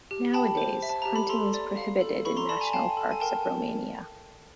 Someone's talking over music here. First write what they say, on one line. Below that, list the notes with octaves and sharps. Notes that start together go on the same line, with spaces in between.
Nowadays, hunting is prohibited in national parks of Romania.
G4
G5 A5 B5
C5
E5
A5
G4 A#5
B5
A4 A#5 C6
D5
F5
A4
A4 B5 C#6
A#5 C6
D5 A5 B5
G#5 A#5
F5 G5 A5
A4
G#5
A#4 G5 A5